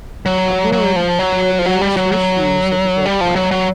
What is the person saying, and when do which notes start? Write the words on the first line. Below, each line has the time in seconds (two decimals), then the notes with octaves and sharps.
Aboard were man's first views of the red planet.
0.26 F#3
0.72 F#3
0.96 F3
1.19 F#3
1.59 F3
1.66 F#3
1.81 G3
1.97 F#3
2.12 F#3
3.06 G3
3.21 F3
3.36 F#3
3.51 F#3